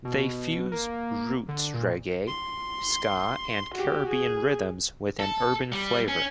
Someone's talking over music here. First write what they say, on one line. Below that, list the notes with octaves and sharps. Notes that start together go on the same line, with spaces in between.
They fuse roots reggae, ska and Caribbean rhythms with an urban flavour.
B2
A#3
D3
A#2
C6
F#4 G4
G#4
A4
G3
C#4